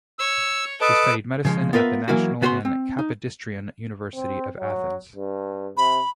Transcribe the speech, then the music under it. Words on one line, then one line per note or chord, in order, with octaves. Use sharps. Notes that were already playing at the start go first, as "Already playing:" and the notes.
She studied medicine at the National and Kapodistrian University of Athens.
C#5 E6
A4 B4 D#5 A5 D6 D#6
C#3 F3 G#3
B3 F4 A#4 B4 E5
E3 F#3 A#3 E4 F#4
C#3 B3 F#4 G4 C5 C6
C4
D#4
C4
F#3
G2
C3 B5